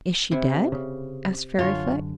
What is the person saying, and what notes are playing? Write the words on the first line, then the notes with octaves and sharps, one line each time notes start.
"Is she dead?" asked Fairyfoot.
C3 E4
C#3
F#2 D3 F4 C#5